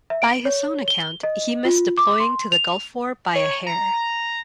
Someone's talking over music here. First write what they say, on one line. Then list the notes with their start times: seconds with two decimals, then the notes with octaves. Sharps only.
By his own account, he missed deploying to the Gulf War by a hair.
0.10 E5
0.22 D7
0.45 C#5
0.88 G7
1.23 D#5
1.65 F4
1.98 D6
2.20 C6
2.52 F7
3.36 C#5
3.67 A#5